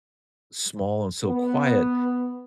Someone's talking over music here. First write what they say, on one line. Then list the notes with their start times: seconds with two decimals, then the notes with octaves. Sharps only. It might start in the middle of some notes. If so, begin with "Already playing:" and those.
small and so quiet,
1.24 B3